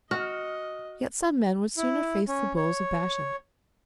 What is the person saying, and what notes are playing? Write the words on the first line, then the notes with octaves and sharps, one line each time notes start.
Yet some men would sooner face the bulls of Bashan.
F#4 D#5 F6
E4
C#4
C#5